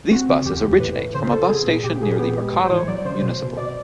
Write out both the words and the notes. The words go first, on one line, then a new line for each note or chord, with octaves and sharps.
These buses originate from a bus station near the Mercado Municipal.
C4 F#4
C#3
E2 G4
E2
A2 B4
A2
C#3 C5
F3 A4
B3 G#4
A#2
A#2 G4
A#2 G#4
B3 G4
G#3
A2
C5
E3 C#5
F#3 D5
C#3 C5
B2 C5
B2
B2 D5